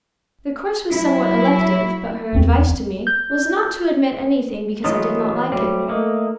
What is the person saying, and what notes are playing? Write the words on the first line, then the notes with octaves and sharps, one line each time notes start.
The course was somewhat elective, but her advice to me was, not to omit anything because I did not like it.
F#3 E4
D1 E2 C4
G6
E3 F#3 B3 D#4 F4
F#3 G3 A3 C4
A3 A#3 D#4